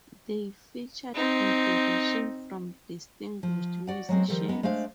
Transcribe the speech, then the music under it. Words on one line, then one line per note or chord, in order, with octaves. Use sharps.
They featured contributions from distinguished musicians.
C4 D#4
F3
F#4 D5 F#5
F#3 G#3 C4
D#3 F3 G3 A4
G#3 B3 D#4
G#3 A3 D4 C5 F5